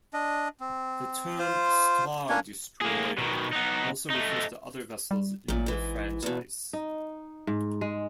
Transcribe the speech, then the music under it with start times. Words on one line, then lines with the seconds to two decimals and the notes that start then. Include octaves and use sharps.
The term "Star Destroyer" also refers to other vessels in the franchise.
0.13 D4 D#5
0.60 C4
1.39 F4 C5
2.29 A#3 C#4 D4 C#5
2.81 A#3 G#4
3.18 B2 D#3
3.52 B3 D#4
4.10 A3 D#4
5.11 G3
5.48 A1 F#2 A#2
5.66 G#2 E3
6.23 E2 B2
6.73 D#4
7.47 G#2
7.81 G#3